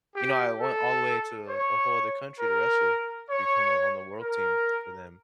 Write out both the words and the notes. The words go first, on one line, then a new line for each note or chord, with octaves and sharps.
you know I went all the way to a whole other country to wrestle, to become on on the world team for them,
G4
A4
C#5
A#4
C#5
A#4